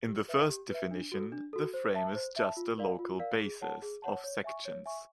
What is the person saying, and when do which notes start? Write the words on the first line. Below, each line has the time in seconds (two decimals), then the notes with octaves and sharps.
In the first definition, the frame is just a local basis of sections.
0.08 G4
0.28 B4 E5
0.49 G4
0.70 B4 E5
0.91 D4
1.12 F#4 A4
1.32 D4
1.53 F#4 A4
1.74 C5
1.94 E5 A5
2.15 C5
2.36 E5 A5
2.57 F4
2.78 A#4 D5 F5
2.99 F4
3.19 A#4 D5 F5
3.41 G#4
3.61 C#5 F#5 A5
3.82 G#4
4.02 C#5 F#5 A5
4.24 C#5
4.44 E5 G#5 C#6
4.65 C#5
4.86 E5 G#5 C#6